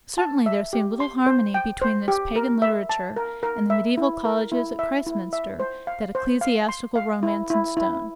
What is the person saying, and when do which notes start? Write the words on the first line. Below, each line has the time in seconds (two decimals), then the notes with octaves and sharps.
Certainly there seemed little harmony between this pagan literature and the mediaeval colleges at Christminster, that ecclesiastical romance in stone.
0.18 A5
0.46 E5
0.73 G4
1.00 C6
1.26 C5
1.54 G5
1.82 C5
2.08 G4
2.36 A#4
2.62 E5
2.89 A5
3.16 A#4
3.43 A#4
3.70 E5
3.97 E4
4.25 A#4
4.52 E4
4.79 E5
5.07 E4
5.33 E5
5.60 C5
5.87 F5
6.15 C5
6.41 F5
6.69 C6
6.96 F5
7.23 E4
7.50 E4
7.77 E4